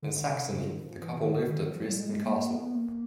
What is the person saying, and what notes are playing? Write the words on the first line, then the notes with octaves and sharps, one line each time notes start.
In Saxony, the couple lived at Dresden Castle.
D3
C3
C#3
D#3
F3
E3
D#3
D3
D#3
F3
F3
G3
G#3
A#3
B3
A#3